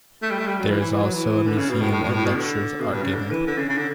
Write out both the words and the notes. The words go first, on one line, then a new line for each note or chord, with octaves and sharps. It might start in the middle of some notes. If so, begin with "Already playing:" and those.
There is also a museum, and lectures are given.
A3
G3
A3
G3
F#3
E3
E3
E3
F#3
E3
D3
C#3
B2
A2
A2
A2
B2
A2
B2
D3
B2
G2
C#3
D3
E3
D3
C#3
C#3
D3